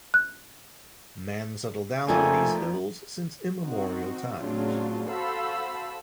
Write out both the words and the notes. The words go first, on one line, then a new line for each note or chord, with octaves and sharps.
Man settled down on these hills since immemorial times.
F#6
F2 F3 A3 A#3 C4 D4 D#4 G#5
C4 D#4 F#4
A2 C#3 F#3 C4 D4 F4
F#4 A4 C5 F5 B5 E6